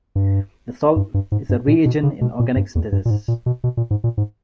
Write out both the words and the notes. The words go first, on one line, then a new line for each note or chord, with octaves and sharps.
The salt is a reagent in organic synthesis.
G2
G2
G2
G#2
G2
A#2
B2
C#3
B2
A#2
G2
E2
G2
A#2
G#2
A#2
B2
B2
A#2
G#2
A#2
G#2